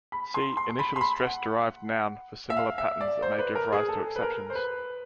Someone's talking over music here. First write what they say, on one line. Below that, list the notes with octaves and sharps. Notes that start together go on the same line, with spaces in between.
See initial-stress-derived noun for similar patterns that may give rise to exceptions.
B5
C6
C6
C6
B5
C6
B5
F#5
E5
F5
E5
D5
C5
B4
A#4
G#4
A4
B4
A#4
C5
B4